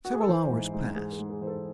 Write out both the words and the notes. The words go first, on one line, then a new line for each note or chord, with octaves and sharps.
Several hours passed.
F#4
G#4
A4
E3 C5
G#2
G#2
G#2 G#4
G#4
G#2
G#4
E3 C5
A4